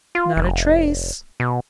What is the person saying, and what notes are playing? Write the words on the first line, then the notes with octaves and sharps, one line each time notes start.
"Not a trace."
F4
F1
B2